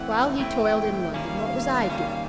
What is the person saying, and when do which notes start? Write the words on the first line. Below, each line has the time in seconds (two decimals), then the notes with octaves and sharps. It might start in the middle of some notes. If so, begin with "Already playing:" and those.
While he toiled in London, what was I doing?
Already playing: E3 A3 C4 E4 F#5
0.38 E3 A3 C4 E4 G5
1.14 D#3 G3 A#3 C#4 F5
1.89 D#3 G3 A#3 C#4